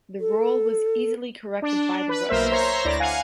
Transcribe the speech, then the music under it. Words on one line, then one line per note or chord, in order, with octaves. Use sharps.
The roll was easily corrected by the rudders.
A4
D4
B4
B1 A#3 A#4 C5 E5
C5 C#5 E5 A#5 C6
D2 E4 D5 A#6
F5 F#5 G#5